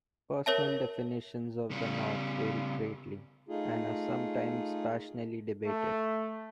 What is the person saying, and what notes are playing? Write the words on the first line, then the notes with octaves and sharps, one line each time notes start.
Personal definitions of the North vary greatly and are sometimes passionately debated.
A#4 C#5 E5 A5
C#3 G3
A3 D#4 F4 G#4
A3